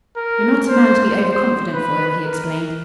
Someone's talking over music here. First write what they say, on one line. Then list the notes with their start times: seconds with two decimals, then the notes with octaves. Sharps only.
"You're not a man to be over-confident, Foyle," he explained.
0.16 A#4
0.68 C5
1.20 C5
1.72 B4
2.24 A#4